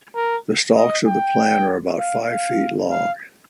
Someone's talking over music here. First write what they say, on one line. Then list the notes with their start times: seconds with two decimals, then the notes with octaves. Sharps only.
The stalks of the plant are about five feet long.
0.15 A#4
0.76 D#5
1.07 G5
1.98 F5
2.29 F5
2.90 F5